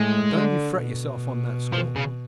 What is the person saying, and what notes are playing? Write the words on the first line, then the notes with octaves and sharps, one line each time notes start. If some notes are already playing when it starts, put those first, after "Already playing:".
But don't you fret yourself on that score.
Already playing: A2 G#3
D3
B2
F3
C#3